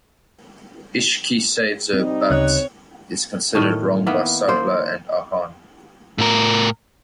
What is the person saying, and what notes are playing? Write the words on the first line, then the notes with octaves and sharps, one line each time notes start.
Ishqi saves her but is considered wrong by Sarla and Ahaan.
G3 C4 D#4
D2 C#3 C#5 F#6
A2 D#3
D#3 A#3 B3 E4
A#3 C5
A2 A#4